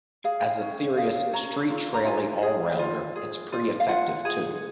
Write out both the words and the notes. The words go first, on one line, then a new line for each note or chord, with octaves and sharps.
As a serious 'street trailie all-rounder' it's pretty effective too.
G#4 F5
C#4
G#4 F5
C#4 A#5
F4
A#5
F4 G#5
G#4
F4
G#4
F4
F5
F4 F#5
G#4